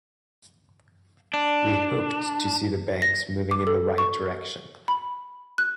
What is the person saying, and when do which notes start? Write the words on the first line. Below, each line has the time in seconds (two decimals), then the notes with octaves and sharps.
We hoped to see the banks moving in the right direction.
1.34 D4
3.02 A#6
3.51 D6
3.67 A4
3.98 C#6
4.88 B5
5.58 F#6